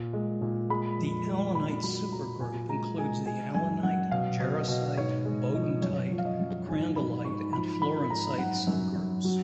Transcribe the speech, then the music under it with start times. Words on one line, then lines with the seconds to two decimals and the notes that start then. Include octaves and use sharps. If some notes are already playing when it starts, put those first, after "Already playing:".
The alunite supergroup includes the alunite, jarosite, beudantite, crandallite and florencite subgroups.
Already playing: A#2
0.13 G#3
0.41 A#2
0.70 G#3 B5
0.98 F2
1.27 G#3
1.55 A#2 B5
1.83 F#3 B5
2.12 F#3 A#5
2.40 A#2 G#5
2.69 G#3 A#5
2.98 G#3 G#5
3.26 G#3 G#5
3.54 F#2 G#5
3.83 F#2 F#5
4.11 B2 F5
4.40 B2
4.55 D#5
4.68 B2
4.97 G#2 C#5
5.25 G#3
5.54 F3 D#5
5.82 F#2 C#5
6.11 F3
6.18 F5
6.25 D#5
6.40 F#2
6.68 G#2 G#5
6.96 F#3 B5
7.25 G#2 C#6
7.53 F3 B5
7.82 F3 B5
8.10 G#2 A#5
8.38 F#2 F#5
8.67 F#2
8.96 F#2
9.24 F#3